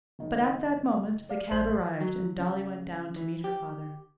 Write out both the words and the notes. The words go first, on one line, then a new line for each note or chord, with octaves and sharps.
But at that moment the cab arrived, and Dolly went down to meet her father.
F#1 D#3
D5 F5
A1 C5 F#7
F#3
C#3
E3
G4